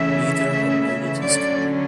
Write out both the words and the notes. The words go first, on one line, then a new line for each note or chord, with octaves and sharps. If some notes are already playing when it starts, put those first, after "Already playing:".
Neither had noted his coming.
Already playing: C#3 E3 A3 C#4 E5
D3 F#3 C#4 D5